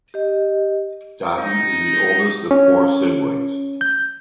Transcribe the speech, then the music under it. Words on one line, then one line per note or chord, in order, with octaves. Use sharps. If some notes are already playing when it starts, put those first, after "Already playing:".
Dodin is the oldest of four siblings.
G4 D#5
D#4
C#4
G6